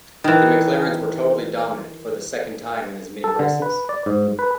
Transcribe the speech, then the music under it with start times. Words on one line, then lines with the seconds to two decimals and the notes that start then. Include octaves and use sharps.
The McLarens were totally dominant, for the second time in as many races.
0.24 D#3 E3
3.24 A4
3.39 D3
3.62 B4
3.89 D5
4.06 G#2
4.39 B4